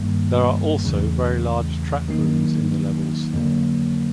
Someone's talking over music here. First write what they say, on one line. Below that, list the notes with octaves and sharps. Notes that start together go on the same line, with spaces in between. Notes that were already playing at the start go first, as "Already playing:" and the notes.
There are also very large trap rooms in the levels.
Already playing: G2 D#3 G3 A#3
E2 C#3 E3 A3
D#3 F#3 A#3 D#4
F2 D3 F#3 A#3